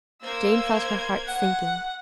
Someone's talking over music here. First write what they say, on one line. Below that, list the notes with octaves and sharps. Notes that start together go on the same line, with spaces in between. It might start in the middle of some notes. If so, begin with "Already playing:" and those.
Jane felt her heart sinking.
A#3 C5 E6 G#6
F#5